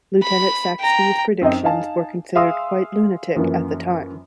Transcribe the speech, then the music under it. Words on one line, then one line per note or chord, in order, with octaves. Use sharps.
Lieutenant Saxby's predictions were considered quite lunatic at the time.
B5
G5 A#5
F#2 C4 D#4 D#5
D#4 F5 G#5 A5
G#4 E5 F5 C6 D#6 E6
F#2 E3 F3 A#3